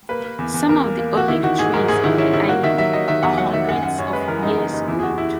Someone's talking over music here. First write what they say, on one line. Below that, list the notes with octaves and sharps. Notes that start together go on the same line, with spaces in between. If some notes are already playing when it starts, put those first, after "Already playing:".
Some of the olive trees on the island are hundreds of years old.
A#3 B4
A#3
E2
E2
E2 A#4
A#3
A#3
E2 F#4
D#3 E4
D#3 F#4
G#2 G#4
G#2 A#4
G#2 G#4
D#3 E4
C#4 E4
D#3 E4
A#3 F#4
D#3 E5
F#3 E5
F#3 D#5
D#3 E5
E2 F#5
F#3 F#5
D#3 E5
F#2 F#5
G#5
F#2 F#5
F#2 C#5
G#3 B4
E3 A#4
F#2 D#4
F#1 D#4
F#1 D#4
E2 E4
G#4
E2 F#4
E4